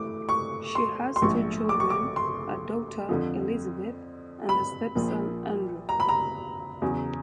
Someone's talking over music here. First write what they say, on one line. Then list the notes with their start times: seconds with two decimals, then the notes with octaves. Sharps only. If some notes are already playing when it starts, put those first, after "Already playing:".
She has two children, a daughter, Elizabeth, and a stepson Andrew.
Already playing: E3 A3 D6
0.29 C#6
0.75 C6
1.16 C6
1.22 A#1 G#2 F3 A3 C#6
1.69 D6
1.80 C#6
1.90 D6
2.16 C6
3.09 F2 D3 F3
4.49 B5
4.95 A#1 A#2 F3 A#3
5.89 A#5
6.00 B5
6.09 A#5
6.82 E2 C#3 F#3